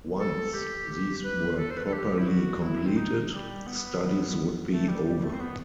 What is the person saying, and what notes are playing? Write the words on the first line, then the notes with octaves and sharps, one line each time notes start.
Once these were properly completed, studies would be over.
A4
G4
B4
A4
C5
B4
A4
G4
E4
F#4
E4
C4
D#4
G3
B3
A3
G3
G3
A3
C4
B3